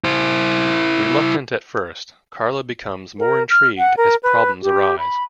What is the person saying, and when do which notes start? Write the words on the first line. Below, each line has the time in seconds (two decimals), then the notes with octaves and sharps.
Reluctant at first, Carla becomes more intrigued as problems arise.
0.04 E4 C5
3.19 A#4
3.50 F6
3.78 F#5
3.97 A#4
4.23 B4
4.62 G4
4.99 B5